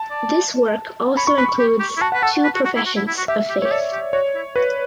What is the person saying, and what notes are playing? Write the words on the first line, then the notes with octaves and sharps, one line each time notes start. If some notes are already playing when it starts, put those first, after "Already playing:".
This work also includes two professions of faith.
Already playing: A5
D5
C#5 B5
C#6
B4 B5
C#6
G4
G4
E4
F#4 A5
B4 F#5
A4 A5
B4
F#4
F#4
E4
F#4
E4
E4
F#4
G4 E5
G4
G4 C#5
A4 D5
G4
F#4 C#5
E4
F#4 B4